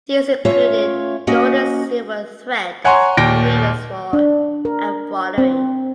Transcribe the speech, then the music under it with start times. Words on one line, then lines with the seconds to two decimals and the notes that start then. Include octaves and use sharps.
These included gold and silver thread and needles for embroidery.
0.45 A3 C#4 F4 C#5 E5
1.27 A#3 C#4 F#4 D#5
2.84 C#5 F#5 G#5 A#5 C6 C#6
3.17 D#2 A#2 G5 A#6 D7
4.13 D4
4.65 A#4
5.38 C4